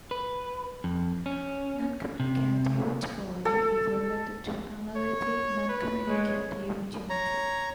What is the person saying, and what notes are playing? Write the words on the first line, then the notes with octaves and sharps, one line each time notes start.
Noncommutative topology is related to analytic noncommutative geometry.
B4
F2
C#4
C3
A4
C#5
B4
G#3 C#5
C#5 A#5